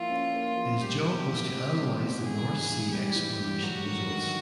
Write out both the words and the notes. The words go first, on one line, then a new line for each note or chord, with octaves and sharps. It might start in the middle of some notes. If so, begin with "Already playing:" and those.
His job was to analyse the North Sea exploration results.
Already playing: F3 A#3 E4 F4
C#4
A#3
F3
G3 G4
B2
E4
C4
G3
B2
E3 G#4
G2
G2
G3 G4
E3
G2
F#3 F#4
D#3
D#3